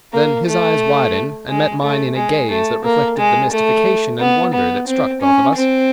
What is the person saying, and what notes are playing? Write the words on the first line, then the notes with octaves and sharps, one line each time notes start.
Then his eyes widened and met mine in a gaze that reflected the mystification and wonder that struck both of us.
A#3
A3
G#3
A3
G#3
A3
A#3
G#3
A3
B3
B3
C4
C#4
C4